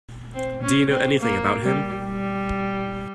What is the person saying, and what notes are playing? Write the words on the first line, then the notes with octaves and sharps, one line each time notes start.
Do you know anything about him?
C4
C#4
C4
A#3
G3
G3